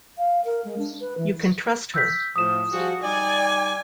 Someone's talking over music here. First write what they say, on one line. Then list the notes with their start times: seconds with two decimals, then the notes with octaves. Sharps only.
You can trust her.
0.18 F5
0.45 A#4
0.65 G#3
0.78 D4
1.00 B4
1.18 E3
1.94 E6 G6 B6
2.36 A2 F3 D#6 E7
2.72 F3 G3 F#4 G#4
3.03 G3 D#4 D5 G#5